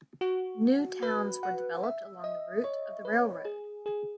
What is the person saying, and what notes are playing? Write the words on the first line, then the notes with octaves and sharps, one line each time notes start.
New towns were developed along the route of the railroad.
F#4
B4
F#5
E5
D#5
C#5
B4
G#4
G#4